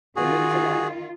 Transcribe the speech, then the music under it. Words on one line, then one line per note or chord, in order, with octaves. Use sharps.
It means a lot.
D#3 F4 F#4 G#4